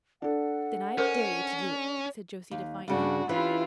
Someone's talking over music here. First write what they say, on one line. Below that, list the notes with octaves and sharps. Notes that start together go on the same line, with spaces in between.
"Then I dare you to do it," said Josie defiantly.
D4 A4 F#5
C#4 A#4 C5
D#2
G2 C#3 D4 F#4
E3 C#4 E4 F4 G4 B4